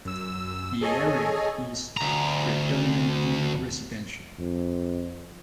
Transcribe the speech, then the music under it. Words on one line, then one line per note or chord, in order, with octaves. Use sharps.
The area is predominantly residential.
F#2 E6
G#4 A4 C#5 D#5 G#5
D2 A#5
F2